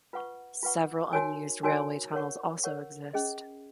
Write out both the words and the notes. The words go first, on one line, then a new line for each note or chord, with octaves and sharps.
Several unused railway tunnels also exist.
F4 B4 F#5 C#6
F4 B4 F#5 C#6
D#4 F#4 A#4 C#5 G#5
D#4 F#4 A#4 C#5 G#5
A#4 C#5 F#5 C#6
A#4 C#5 F#5 C#6
C#4 G#4 D#5